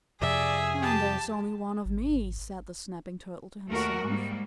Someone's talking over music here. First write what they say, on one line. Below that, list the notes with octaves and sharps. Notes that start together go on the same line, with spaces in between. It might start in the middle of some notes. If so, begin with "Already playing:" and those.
"And there is only one of me," said the Snapping Turtle to himself.
F2 C3 F3 G#4 D5 E5
G4 A5
G#1
D#2 A3 F#4 A#4
G#2 G3 A#3